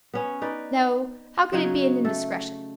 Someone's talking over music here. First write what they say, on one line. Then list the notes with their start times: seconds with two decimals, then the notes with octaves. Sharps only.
No, how could it be an indiscretion?...
0.14 B3 C#4
0.42 D#4 B4 D5
1.52 C#3 F#3 D#4 C#5
2.05 A3 A4